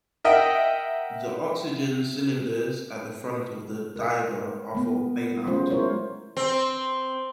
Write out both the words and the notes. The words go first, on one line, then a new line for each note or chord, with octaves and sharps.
The oxygen cylinders at the front of the diver are for bailout.
A#4 D#5 E5 F#5 G5
A#4
A3 B3
F#3 G#3 A3 C#4 F4 C5
E4 A#4 C5 C#5
C4